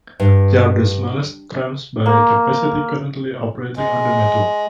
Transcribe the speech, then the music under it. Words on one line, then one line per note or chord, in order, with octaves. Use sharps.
They are the smallest trams by capacity currently operating on the network.
G2
A#3
G#3